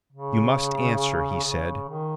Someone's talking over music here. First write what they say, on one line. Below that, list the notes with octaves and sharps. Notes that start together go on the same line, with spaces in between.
"You must answer," he said.
C#3
C#3
D#3